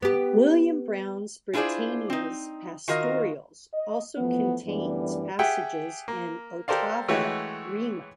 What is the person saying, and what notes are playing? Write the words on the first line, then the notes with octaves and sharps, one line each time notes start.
William Browne's "Britannia's Pastorals "also contains passages in ottava rima.
B3 G4
D4 E4 F4 G#4 C5 D5
C4 D#4
D#3 F4 F#4 A#4 D#5 F5
D#5
E3 F3 A3 B3
F#2 E3 G3 A3 B3 D4
G4 G#4 E5 F#5 G5
A#3
G4 A4 A#4 C5 D5 F5
E3 G#3 A3 F#4 G4 C#5